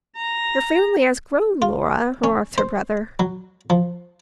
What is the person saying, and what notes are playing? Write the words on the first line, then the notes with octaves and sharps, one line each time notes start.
"Your family has grown, Lora," remarked her brother.
A#5
F4
C#4
C5
F#3
F3